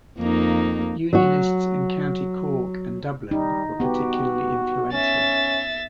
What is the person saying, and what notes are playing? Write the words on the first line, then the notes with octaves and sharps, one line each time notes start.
Unionists in County Cork and Dublin were particularly influential.
F2 A#3 D#4
F#3 F#4
G3 D#4
B3 F#4 G4
C#4 E5 A6